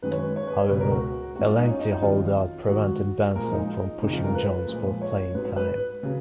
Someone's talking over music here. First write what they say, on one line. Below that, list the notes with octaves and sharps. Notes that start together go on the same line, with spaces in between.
However, a lengthy hold-out prevented Benson from pushing Jones for playing time.
F#2 D#3 G#3 B4
C#5
B4
C#5
B4
C#5
C#2 B2 G#3 B4
A#4
F#4
G#2 F#3 F#4
F4
D#4
C#4
D#4
D#4
F2 D#3 F#3 F4
G#2 D#3 F#3 F#4
A#2 F3 G#3 A#4
D#4
F2 C#3 G#3 D#4
F4
A#4
B4
A#2 F3 G#3
C#5
G#2 F#3 B4
B4
B4
C#3 F#3